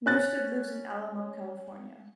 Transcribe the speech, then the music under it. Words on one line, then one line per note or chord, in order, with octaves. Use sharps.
Newsted lives in Alamo, California.
C#4 F#6 A6